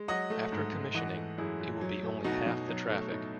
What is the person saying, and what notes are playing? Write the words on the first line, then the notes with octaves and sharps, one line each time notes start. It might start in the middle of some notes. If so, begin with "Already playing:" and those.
After commissioning, it will be only half the traffic.
Already playing: G#3
F#3 D#5 F#5
A3
G#2
G#2
E3 D#5 F#5
A3
F#2 E4 G#4
F#2
F#3
A3
B2 D#4 F#4
B2
F#3
A3
A2 D#4